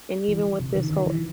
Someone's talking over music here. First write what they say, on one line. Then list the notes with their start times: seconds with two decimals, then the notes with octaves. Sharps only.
and even with this whole
0.28 E3
0.60 C3
0.75 D#3
0.90 D#3
1.06 E3